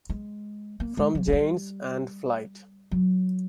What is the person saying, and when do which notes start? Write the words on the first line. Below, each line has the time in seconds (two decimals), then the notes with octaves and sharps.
From Jane's and Flight.
0.09 G#3
0.80 A#3
0.97 G#3
1.15 F#3
1.28 G#3
1.33 G3
2.91 F#3